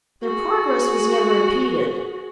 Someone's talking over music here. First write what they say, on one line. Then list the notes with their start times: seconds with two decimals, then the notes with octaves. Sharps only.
Their progress was never impeded.
0.23 F#4 G#4